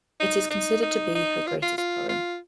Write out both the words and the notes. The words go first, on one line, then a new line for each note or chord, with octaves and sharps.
It is considered to be her greatest poem.
D#4
D#4
D#4
D#4
F4
F4
F4
F4